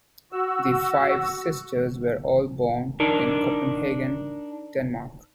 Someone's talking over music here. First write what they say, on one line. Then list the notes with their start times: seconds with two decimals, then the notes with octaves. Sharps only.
The five sisters were all born in Copenhagen, Denmark.
0.32 F#4 E6
3.00 D4 D#4 A#4